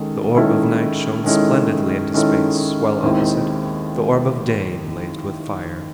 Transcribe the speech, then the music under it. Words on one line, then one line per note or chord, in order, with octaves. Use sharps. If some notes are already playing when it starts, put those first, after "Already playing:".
The orb of night shone splendidly into space, while opposite, the orb of day blazed with fire.
Already playing: D#3 G#3 C#4 A4
D#3 G#3 C#4 E4 A4
D#3 G#3 C#4 E4 A4
D#3 G#3 C#4 E4 A4
D#2 D#3 G#3 C4 E4